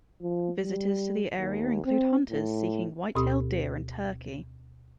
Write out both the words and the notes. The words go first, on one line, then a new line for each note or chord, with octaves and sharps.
Visitors to the area include hunters seeking whitetail deer and turkey.
F3
G3
D#2
C4
A2
D2 B2 C4 G4 B5 D#6